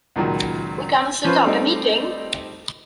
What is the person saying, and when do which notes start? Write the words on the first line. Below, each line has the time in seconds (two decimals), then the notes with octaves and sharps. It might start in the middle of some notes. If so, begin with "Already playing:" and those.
We can set up a meeting?
0.16 C#2 A#2 D#3 F#3
1.24 F3 C#4 F4 B4 C5
1.45 G3 A3 C4 D#4